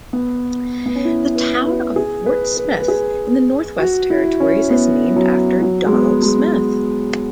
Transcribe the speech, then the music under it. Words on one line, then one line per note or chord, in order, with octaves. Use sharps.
The Town of Fort Smith in the Northwest Territories is named after Donald Smith.
B3
B3
C#4
E4
B4
B4
G#4
B4
B4
B4
G#4
F#4
E4
C#4
B3
F#3
F#3
G#3
B3
G#3